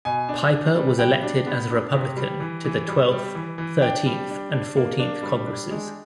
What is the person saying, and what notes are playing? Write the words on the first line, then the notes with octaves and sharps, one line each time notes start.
Piper was elected as a Republican to the Twelfth, Thirteenth, and Fourteenth Congresses.
B2 G#5
D4
D4
G3
G3 G5
D4
B3
D4
C3
G3
E3
E3
G3
G3
E3
E3
D4 G5
G3
D4
D4
A#3
D4
G3
D4
G#3